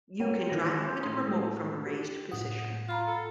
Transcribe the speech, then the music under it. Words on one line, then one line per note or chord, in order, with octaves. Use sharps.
You can drive it with a remote from a raised position,
B3 A#4 C#5 G5 D#7
D#3 E3 A#6
C6 G6
A2 C6 D#6
G4
A2 F#5 D#6
F4 A#5 B5 F6
A4